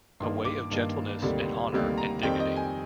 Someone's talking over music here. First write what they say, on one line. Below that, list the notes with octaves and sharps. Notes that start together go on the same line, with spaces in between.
A way of gentleness and honor and dignity.
G2 D#3 A#3 C6
D6
G2 D#3 A#3
D2 C3 D#3 G3 A#3
D2 C3 D#3 G3 A#3
A#5
F2 D#3 G3 C4 G5
D#5
G#5